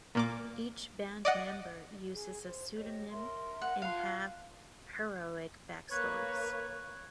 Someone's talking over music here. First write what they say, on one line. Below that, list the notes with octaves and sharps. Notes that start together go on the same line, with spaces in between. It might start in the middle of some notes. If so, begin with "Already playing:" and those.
Each band member uses a pseudonym and have heroic backstories.
A#2 A#3 D6
D5 D#5 F#5
G#4
C5
G4 C#5 D#5
A#4 E5 C6
F#5
F4 F5 A5 C6 F#6
A#3 B4 C#5 C#6 F#6 G#6